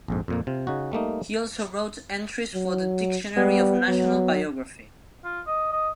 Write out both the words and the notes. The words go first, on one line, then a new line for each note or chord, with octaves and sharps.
He also wrote entries for the "Dictionary of National Biography".
A#1 F2 G#2
F2 A#2 A#3
C3 F4
C#3 D#4 F#4
G3 A3 A#3 D#4
F#3
G3 B3
F#3
F4
D#5
D#5